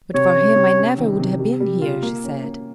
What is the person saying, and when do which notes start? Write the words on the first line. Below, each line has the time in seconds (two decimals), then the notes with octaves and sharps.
"But for him I never would have been here," she said.
0.14 C3 C#5
0.36 C#4
0.56 C3
0.78 C#4
0.98 D#3
1.20 C3
1.39 G3
1.60 G3
1.82 F4
2.02 A#3
2.24 C#4
2.44 A#3